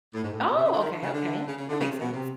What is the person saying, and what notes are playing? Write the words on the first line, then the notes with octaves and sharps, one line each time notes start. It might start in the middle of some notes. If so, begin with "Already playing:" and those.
Oh! Okay, okay. That makes sense.
A2
G#2
A2
B2
C3
C#3
D3
D#3
D3
C#3
D3
C#3
C#3
D3
C#3
C3
B2
C3